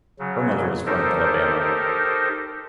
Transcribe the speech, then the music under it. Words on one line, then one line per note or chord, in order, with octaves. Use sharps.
Her mother was from Alabama.
C#3 F#3
D#4 G4 A4 A#4 C5